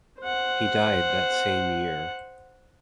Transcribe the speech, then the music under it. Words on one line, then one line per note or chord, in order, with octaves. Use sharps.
He died that same year.
C5 F#5